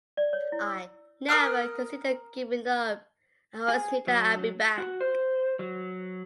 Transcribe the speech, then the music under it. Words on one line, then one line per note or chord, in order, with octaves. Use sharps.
I never considered giving up; I always knew that I'd be back.
D5
C#5
E4
E6
A#4 D#6 F6 F#6
G#4
F#3
F#4
C5
F#3